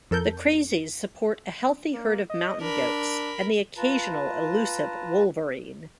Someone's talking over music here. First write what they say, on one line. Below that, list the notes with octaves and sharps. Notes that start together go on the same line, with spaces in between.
The Crazies support a healthy herd of mountain goats and the occasional elusive wolverine.
F2 A4 A#4 G6
A#3
D#5
D4 A#4 B5
F4 B4 A5 A#5